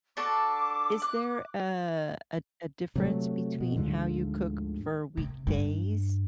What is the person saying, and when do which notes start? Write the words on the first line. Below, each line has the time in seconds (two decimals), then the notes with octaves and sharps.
Is there, uh, a a difference between how you cook for weekdays
0.17 D4 F#4 A4 D6
1.02 F#6
2.96 C3 F#3 A3
3.60 B2
3.76 D2 G#2 D3 F3
5.17 C3
5.47 G2